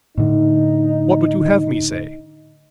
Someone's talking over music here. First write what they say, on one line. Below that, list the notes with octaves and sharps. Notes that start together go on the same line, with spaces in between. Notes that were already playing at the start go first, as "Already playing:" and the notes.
What would you have me say?'
A2 D3 D#4